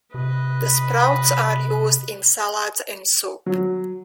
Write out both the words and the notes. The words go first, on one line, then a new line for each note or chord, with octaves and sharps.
The sprouts are used in salads and soup.
C3 B4 D#5
F#3